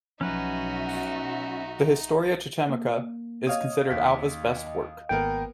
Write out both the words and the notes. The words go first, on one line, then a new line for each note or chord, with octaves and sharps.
The "Historia chichimeca" is considered Alva's best work.
B1 F3 F#3 C#4 D#4 F#4 B4 E5
A#3
C#5 D#5 F5 D#6
D#2 B6
G#1 A#3 B3 A#4 G5